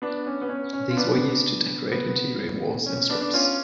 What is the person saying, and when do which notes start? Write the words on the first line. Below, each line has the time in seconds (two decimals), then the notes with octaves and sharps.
These were used to decorate interior walls, in strips.
0.02 B3 D4
0.27 C#4
0.42 B3
0.49 C#4
0.73 C#4
0.90 F4
0.97 B3 D4
1.92 B3
2.86 C#4
3.09 B3 D4
3.21 D4
3.34 C#4 F4